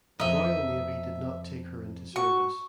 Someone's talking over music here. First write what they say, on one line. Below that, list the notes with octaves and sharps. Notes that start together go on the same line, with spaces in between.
The Royal Navy did not take her into service.
F2 D#5 E5 A#5
F#4 C#6